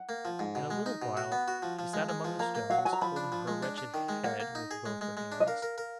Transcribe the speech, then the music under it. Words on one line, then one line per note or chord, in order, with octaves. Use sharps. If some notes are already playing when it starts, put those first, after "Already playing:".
In a little while she sat among the stones, holding her wretched head with both her hands.
Already playing: F#5
A#3
F3
G#2
B2
G#3
D#4
B2
F#4
B3
F#4
F3
F3
G#3
G#3
F3
A#3 A#5
A#3
F#3 F5
F#5
F#3 G#5
A#5
F3 B5
D4
F3
G#3
D4
D4
D#3
G#3
A#3 F#5
A#3
D#4
G#4
G#3
G#3
G#3
D4
D#5
A#4 F5
A#4
A#4